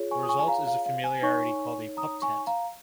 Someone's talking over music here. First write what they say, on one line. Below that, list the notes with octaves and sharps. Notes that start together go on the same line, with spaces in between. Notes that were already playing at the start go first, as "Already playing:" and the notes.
The result is familiarly called a pup tent.
Already playing: F4 G#4 C#5
G#5 C#6
D#6
G#5 C#6
G#5
F5 A#5
F5 A#5
F5
G#5
D#4 C#5 G#5 C#6
A#5 D#6
G#5 C#6
F5 A#5